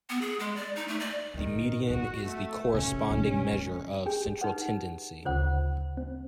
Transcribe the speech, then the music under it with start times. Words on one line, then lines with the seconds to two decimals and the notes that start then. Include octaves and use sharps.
The median is the corresponding measure of central tendency.
0.10 B3
0.21 G#4
0.40 G#3
0.56 D5
0.76 D#4
0.88 A3
1.00 D5
1.34 A2 D3 D#3
1.90 B3 F#4
2.26 A3
2.74 C3 C#4
3.10 B2 G#3
3.52 F3
4.06 G4 G#4 G5
4.41 D#4 B4 F#5
5.25 D2 C#3 F4 C5 F#5
5.97 C4